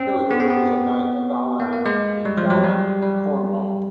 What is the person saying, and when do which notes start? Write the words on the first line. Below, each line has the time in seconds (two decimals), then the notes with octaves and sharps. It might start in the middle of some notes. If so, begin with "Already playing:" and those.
Killigrew was a knight of Arwenack in Falmouth, Cornwall.
Already playing: C4 C#4
0.31 B3
0.40 C4
0.50 B3
1.60 A#3
1.73 A#3
1.86 G#3
2.25 G3
2.37 F3
2.50 F#3
2.64 G3
3.03 G3